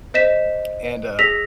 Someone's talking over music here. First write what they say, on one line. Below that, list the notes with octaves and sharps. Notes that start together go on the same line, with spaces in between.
And, uh,
C5 D#5 B6 E7
G#4 E6 A#6 B6 F7